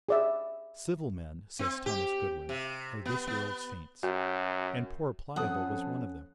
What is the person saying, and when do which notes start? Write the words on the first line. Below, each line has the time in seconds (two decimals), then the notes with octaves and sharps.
'Civil men,' says Thomas Goodwin, 'are this world's saints.' And poor Pliable was one of them.
0.09 G#4 D5 E5
1.59 C4
1.86 G4
2.49 C3
3.05 B3
3.27 B3
4.03 F#2 F#4
5.36 F2 C#4 A4 F#5 D#6